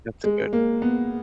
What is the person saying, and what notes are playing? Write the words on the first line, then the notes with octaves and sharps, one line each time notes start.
That's good.
G#3
A#3
B3